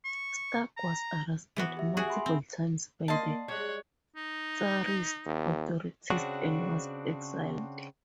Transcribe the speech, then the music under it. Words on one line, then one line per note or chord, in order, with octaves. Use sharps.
Stark was arrested multiple times by the Tsarist authorities and was exiled.
C#6
A#5
E3 B3 F#4
G4 E5
F#4 G#4 F#5 G#5
E5 B5 C6
C4
A#3 D5 D#5 A5 C6
G3 G#3 C#5 F#6
D#4
D#2
C#3 C4 D4 F#4